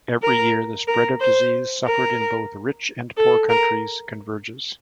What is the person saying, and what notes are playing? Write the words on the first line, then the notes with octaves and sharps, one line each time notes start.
Every year, the spread of disease suffered in both rich and poor countries converges.
A#4
A#4
C5
A#4
A4
A#4